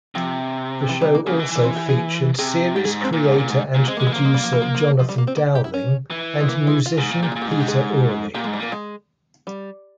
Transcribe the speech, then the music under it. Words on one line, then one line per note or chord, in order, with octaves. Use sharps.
The show also featured series creator and producer Jonathan Dowling and musician Peter Urlich.
C3 F3
E3
G3
A#3
C#3 A#3
E3
E3 A#3
C4
G4
G#4
C3 G#4
G#2 G4
G#4
C4
A#2 A#3
G#2
A#3
A#2
G#2
A#2
G#3 C4
A#3
G#3
E3
F3 A#3
G#3
G3
F3
E3
F3
F3
F3
G3
A#3
C4
A#3
G4
E4
C#4
E3
G#3
A#3
G#3
F4
G#2
A#2
A#2 G4
G#4
A#2
G4
G#2 G#4
G4
G#4
A#2 G4
G#3
G#2
G3
A#2 A#3
G#3
G3